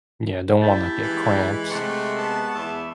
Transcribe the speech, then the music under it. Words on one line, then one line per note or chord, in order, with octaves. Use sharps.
Yeah, don't wanna get cramps.
C#3 A#3 E4 G4 A5
E3 G#3
C3 A3 F#5 C#6
B3 A5
E2 E5